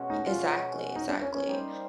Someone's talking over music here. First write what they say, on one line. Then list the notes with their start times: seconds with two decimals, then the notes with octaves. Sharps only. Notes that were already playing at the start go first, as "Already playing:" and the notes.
Ye exactly, exactly,
Already playing: B2 G#3 C#4 F#4
0.10 D#4
0.27 F4
0.96 D#4
1.09 D4
1.22 C#4
1.35 C#4
1.48 G3 A#3 D#4 G4 C5